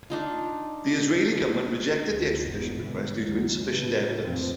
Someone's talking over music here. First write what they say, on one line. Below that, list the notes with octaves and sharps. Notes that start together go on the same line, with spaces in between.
The Israeli government rejected the extradition request due to insufficient evidence.
D4 D#4 F4
D2
F1 E2 G#2 C3
B2 D3 E3 G3 G#3
C#2 F#2 D#3 F#3 G#3
A2 C#3 E3
F2 A#2 E3 F3 A3 C4